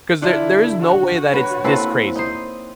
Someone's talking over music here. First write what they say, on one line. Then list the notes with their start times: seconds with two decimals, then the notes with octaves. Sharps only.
'cause there there is no way that it's this crazy."
0.22 D3 D4 E4 F4
0.83 F#4
1.34 B4 C#5 A#5 C#6
1.64 A#3 C4 E4 A4 B4 B5
2.16 D#4 C5 D#6